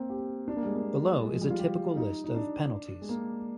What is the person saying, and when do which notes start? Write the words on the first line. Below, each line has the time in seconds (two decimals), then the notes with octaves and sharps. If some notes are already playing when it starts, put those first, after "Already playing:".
Below is a typical list of penalties.
Already playing: A#3 C4
0.10 G4
0.48 D4
0.57 A#3
0.62 G3
0.66 G#3
0.76 A#3
1.23 G#3
1.32 F3
1.41 G3
1.50 F4
1.59 G4
1.96 D#4
2.24 D#4
2.34 D4
3.01 G#3
3.09 A#3